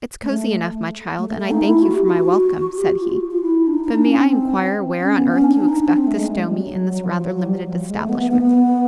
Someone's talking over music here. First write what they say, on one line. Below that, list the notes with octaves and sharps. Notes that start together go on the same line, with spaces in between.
"It's cozy enough, my child; and I thank you for my welcome," said he. "But may I enquire where on earth you expect to stow me in this rather limited establishment?"
A3
G#3
A3
A3
A3
A3
D#4
E4
F#4
G4
F#4
G4
F#4
F4
F#4
F4
F4
E4
D4
D#4
D#4
D4
C#4
C4
C#4
B3
C#4
D4
D4
D#4
D4
C4
A3
G#3
G#3
G3
F#3
F#3
F3
F3
F#3
F#3
G3
F#3
F3
G#3
A3
B3
B3
B3
B3